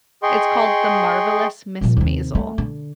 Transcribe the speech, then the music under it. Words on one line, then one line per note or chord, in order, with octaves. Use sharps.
It's called The Marvelous Miss Maisel.
G#4 D#5 G5 C6 C#6
A#2 F3
D#2 C3
A3
D3